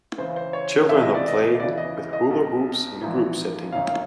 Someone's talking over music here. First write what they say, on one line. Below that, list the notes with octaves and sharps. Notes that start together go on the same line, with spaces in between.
Children are playing with hula hoops in a group setting.
C#2 C#3 E3 C5
C5
C#5
C#2 C3 E3 E5
D#5
D5
D#5
D#5
D#2 C#3 E3 D5
D#5
D#5
B1 B2
A#1 G#2 E3
G1 F#2 D#3 F5
F5